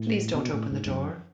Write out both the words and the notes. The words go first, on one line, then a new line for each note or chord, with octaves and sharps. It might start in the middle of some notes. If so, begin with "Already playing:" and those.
Please don't open the door.
Already playing: A2
B2
A2
G#2
G#2
F#2